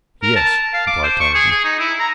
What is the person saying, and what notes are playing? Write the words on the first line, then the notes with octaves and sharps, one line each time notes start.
"Yes," replied Tarzan.
A#4
A5
F5
D6
C5
C#6
G#4
G#4
D#4
E4
A#5